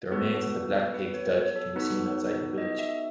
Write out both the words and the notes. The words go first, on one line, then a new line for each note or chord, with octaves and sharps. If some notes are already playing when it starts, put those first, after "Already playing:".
The remains of the Black Pig's Dyke can be seen outside the village.
B3 F#4 A4 B4
B4
C#5
C#5
A4
B3 D#4 F#4 A4 B4
D#5
E5